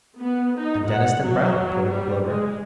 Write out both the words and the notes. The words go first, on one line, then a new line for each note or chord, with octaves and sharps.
"And Deniston Browne," put in Clover.
B3
D#4
F#5
F#3
G3
G#3